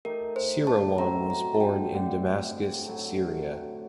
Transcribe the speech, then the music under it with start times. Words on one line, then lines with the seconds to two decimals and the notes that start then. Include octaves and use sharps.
Seirawan was born in Damascus, Syria.
0.05 A3 D#4 G4 A#4
0.36 C5
0.67 A5
0.98 A2 F#3 C4 A#5
1.30 A#5
1.54 A5
1.60 G5
1.92 D3 A3 D4 G4
2.85 A2 F#3 A3